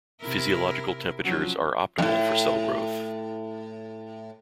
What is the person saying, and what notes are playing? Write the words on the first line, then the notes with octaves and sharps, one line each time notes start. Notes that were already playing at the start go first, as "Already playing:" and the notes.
Physiological temperatures are optimal for cell growth.
C3 E4 A#4
F3 F#3 C#4
F2 A2